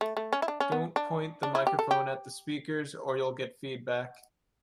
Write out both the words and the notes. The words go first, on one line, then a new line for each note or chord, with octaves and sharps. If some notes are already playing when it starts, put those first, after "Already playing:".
Don’t point the microphone at the speakers or you’ll get feedback.
A3
A3
C#4
E4
D4
C#4
B3
D4
D4
E4
G4
A4
G4